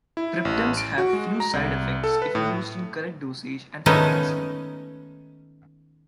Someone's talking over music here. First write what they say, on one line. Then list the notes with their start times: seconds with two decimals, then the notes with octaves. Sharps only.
Triptans have few side effects if used in correct dosage and frequency.
0.17 E4
0.45 A1
0.77 D7
0.98 F#4
1.13 G#3
1.40 A#5
1.53 C2
2.04 A4
2.22 B4
2.35 A2
3.86 D#3 G#3 A3 B3 C#4 D#4